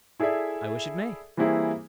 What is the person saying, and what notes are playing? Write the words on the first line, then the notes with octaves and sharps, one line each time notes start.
"I wish it may."
E4 G#4 A4 D5 E5
E3 G3 A#3 C4 E4 G#4